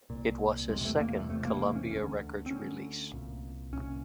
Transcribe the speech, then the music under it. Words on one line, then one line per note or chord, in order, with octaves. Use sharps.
It was his second Columbia Records release.
C2 A#2
E1 E2 C3 G#3
A3
A#3
A3
E1 E2 C3 A3
A#3
A#3
C#4
D2 D3 C#4
C4
D2 D3 C#4
C2 A#2
C2 A#2 C#4